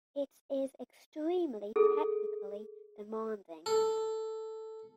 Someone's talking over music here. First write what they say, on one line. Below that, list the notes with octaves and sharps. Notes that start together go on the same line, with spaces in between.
It is extremely technically demanding.
G#4 A4
A4